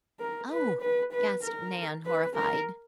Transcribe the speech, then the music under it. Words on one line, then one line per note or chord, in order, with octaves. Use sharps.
"Oh!" gasped Nan, horrified.
A#4
B4
B4
B4
A#4
B4
A#4